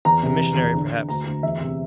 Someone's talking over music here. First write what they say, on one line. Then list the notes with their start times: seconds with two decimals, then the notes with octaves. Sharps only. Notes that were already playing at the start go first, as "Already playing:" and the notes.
"A missionary, perhaps."
0.05 E2 A#5
0.23 C3
0.40 E2
0.57 E2
0.74 D3
0.91 D3
1.09 D2 A#5
1.26 D2
1.43 E2 E5
1.60 C3